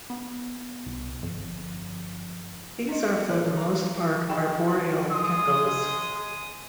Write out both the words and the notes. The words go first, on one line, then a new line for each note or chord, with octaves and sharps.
These are for the most part arboreal geckos.
B3
C2
G1 F2
C4 D4 D#5
A#2 D#4 G#4 C#5 F#6
F5 A#5
F#3 D#4 G#4 D#5 G5 B5
B4 F#5
G#3 C6 D#6